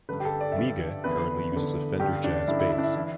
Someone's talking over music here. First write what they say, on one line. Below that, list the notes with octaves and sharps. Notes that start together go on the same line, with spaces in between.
Mige currently uses a Fender Jazz Bass.
G2 D3 B4
G4
A4
D5
E5
G2 D3 D5
E2 D3 B4
E2 D3
G2 D3 G4
D4
G2 D3 E4
E4
E4
D4
E4
E3 E4